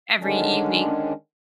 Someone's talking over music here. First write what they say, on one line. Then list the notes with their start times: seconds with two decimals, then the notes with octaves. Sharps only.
every evening.
0.20 D3 D#3 G#3 C#4 D4